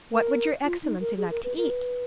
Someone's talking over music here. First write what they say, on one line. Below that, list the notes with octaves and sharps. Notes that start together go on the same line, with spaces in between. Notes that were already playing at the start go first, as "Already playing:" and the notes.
"What would your excellency like to eat?"
A#4
F4
D#4
A#4
G#4
A#4
B4
A#4
B4